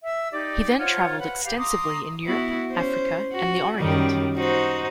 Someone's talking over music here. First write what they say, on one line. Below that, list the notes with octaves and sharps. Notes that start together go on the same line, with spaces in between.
He then traveled extensively in Europe, Africa and the orient.
E5 E6
D#4 G4 D5 D6
F4 C5 C#5 F#5
B4 F#5 B5
G4 F5
A#5 C6 D6 D#6
B3 E4 F#4
C#4 C5
F#4
F#2 D#3 G3
D#4 F#4 C5